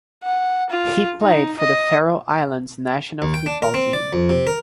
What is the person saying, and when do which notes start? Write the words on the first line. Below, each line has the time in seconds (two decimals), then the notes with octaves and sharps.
He played for the Faroe Islands national football team.
0.24 F#5
0.70 F4
1.22 D#4
1.59 D#5
3.22 D#2
3.34 G5
3.46 D4
3.62 A#4
3.74 C4
3.93 D5
4.13 F2
4.29 C3
4.47 A#4